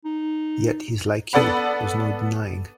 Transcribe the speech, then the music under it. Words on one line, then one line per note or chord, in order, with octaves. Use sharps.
Yet he's like you, there's no denying.
D#4
B3 A4 D5 F#5 B5